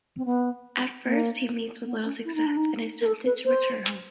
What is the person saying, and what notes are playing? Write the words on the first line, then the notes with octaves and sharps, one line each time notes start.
At first he meets with little success, and is tempted to return home.
C4
B3
A#3
B3
C#4
E4
D#4
D4
D#4
A#4
A4
B4
C5